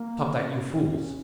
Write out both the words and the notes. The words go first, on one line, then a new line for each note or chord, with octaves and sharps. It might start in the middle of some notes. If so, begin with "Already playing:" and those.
"Stop that, you fools!"
Already playing: A#3
C#4